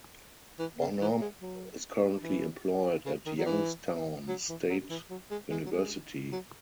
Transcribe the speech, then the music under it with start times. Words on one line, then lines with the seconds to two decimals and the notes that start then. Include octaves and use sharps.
Bonhomme is currently employed at Youngstown State University.
0.59 E3
0.81 C#3
1.01 E3
1.21 G#3
1.42 F#3
2.23 E3
3.05 C#3
3.26 D#3
3.39 F#3
3.46 E3
4.28 F#3
4.49 E3
4.70 F#3
4.90 E3
5.10 F#3
5.31 G#3
5.51 G#3
5.66 F#3
5.72 G#3
6.32 F#3